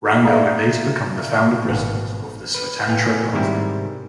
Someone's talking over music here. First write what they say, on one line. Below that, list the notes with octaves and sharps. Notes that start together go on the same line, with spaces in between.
Ranga would later become the founder-president of the Swatantra Party.
D5 E5 F5 A#5 D#6
G#1 B2 F5 F#5
B4
A2 B3 F5 G5 G#5
G#2 C3 D#3 G3 E4